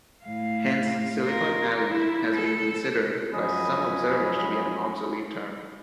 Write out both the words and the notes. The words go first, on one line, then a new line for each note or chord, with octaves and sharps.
Hence 'Silicon Alley' has been considered by some observers to be an obsolete term.
A2 F5
F4 A#4
E4
A4
F#2 F3 C#4 D#5 G#5 B5